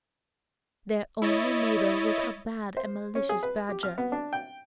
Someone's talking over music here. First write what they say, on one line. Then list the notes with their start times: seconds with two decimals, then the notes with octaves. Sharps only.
Their only neighbor was a bad and malicious badger.
1.22 E4 C#5 D#5 A6
2.77 C5
3.15 C#4
3.29 G#4
3.43 B4
3.69 G4
3.83 F6
3.98 B3
4.12 D4
4.33 G5